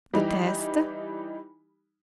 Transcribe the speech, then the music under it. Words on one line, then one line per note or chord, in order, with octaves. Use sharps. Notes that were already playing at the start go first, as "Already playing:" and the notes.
"The test?"
E3 G3 D#4 G4